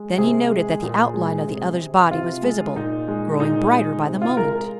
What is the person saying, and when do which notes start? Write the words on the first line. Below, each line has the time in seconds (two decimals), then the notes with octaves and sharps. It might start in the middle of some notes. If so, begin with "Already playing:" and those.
Then he noted that the outline of the other's body was visible, growing brighter by the moment.
Already playing: G#3
0.18 C3 G#4
0.50 G#3
0.82 A#2
1.14 G#3
1.47 C3
1.80 C3
2.11 C3 F4
2.43 G#3
2.76 A#2 D#4
3.08 G#3
3.40 A#2 D#4
3.73 G#3
4.05 C3
4.22 F4
4.37 G#3 A#4